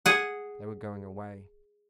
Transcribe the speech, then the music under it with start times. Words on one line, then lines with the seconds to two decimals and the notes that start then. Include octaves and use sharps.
They were going away.
0.06 G#4 F#5